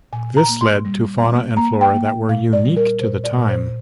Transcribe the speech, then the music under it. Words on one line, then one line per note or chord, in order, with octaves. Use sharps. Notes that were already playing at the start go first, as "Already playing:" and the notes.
This led to fauna and flora that were unique to the time.
A#2 G#5
A#5
A#3
C6
G3
A#3
A#3 A#5
G5
A#3
G5
A#2 F5
D5
G3
A#4
A#2 C5
D5
A#2
C5